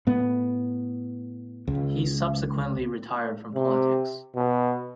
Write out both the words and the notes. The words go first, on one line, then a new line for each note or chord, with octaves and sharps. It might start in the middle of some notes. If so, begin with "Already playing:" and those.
He subsequently retired from politics.
A2 B3
C#2
C3
B2